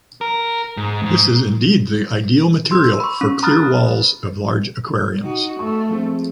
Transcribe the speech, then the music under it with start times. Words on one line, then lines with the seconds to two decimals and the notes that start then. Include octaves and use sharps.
This is indeed the ideal material for clear walls of large aquariums.
0.21 A#4
0.77 G#2
1.03 F2 G#2
2.71 C6 E6
3.00 B5 C#6
3.21 C#4
3.43 A#5 B5 D#6 F6 F#6 A6
5.23 D#4 F#4
5.59 A3 C#6
5.89 F3 G#3 C4